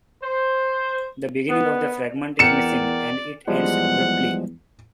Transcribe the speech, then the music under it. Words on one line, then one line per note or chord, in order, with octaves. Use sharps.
The beginning of the fragment is missing, and it ends abruptly.
C5
B3
E2 A#4 D5 F#5 G5 C#7 E7
E2 F3 G3 G#3 F#5